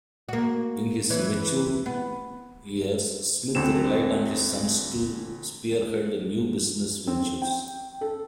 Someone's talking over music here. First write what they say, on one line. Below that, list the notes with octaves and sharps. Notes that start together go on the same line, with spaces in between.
In his mature years, Smith relied on his sons to spearhead new business ventures.
A#3 F#4
E3 C#4
B3
D2 D3 C4 E7
C4
G5
A4